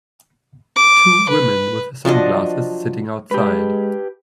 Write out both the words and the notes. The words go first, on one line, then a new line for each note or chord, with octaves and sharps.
Two women with sunglasses sitting outside.
D6
B4
F3 F#3 D4 D#5
G#3 G4 B4